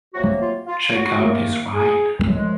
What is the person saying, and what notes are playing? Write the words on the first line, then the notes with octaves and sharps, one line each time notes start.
Check Out This Ride!
C3 F#3 A#3 F#4
F4
F4
F#4
C3 D#3 A#3
G#4
F#2 F3 G#3